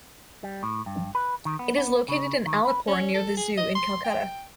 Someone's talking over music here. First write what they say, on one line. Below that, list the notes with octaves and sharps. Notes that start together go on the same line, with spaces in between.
It is located in Alipore, near the zoo, in Calcutta.
G3
A2
G2
B4
D#3
B3
B3
C#3
D#3
B4
C#4
A4
G#4
D#5
C6
G5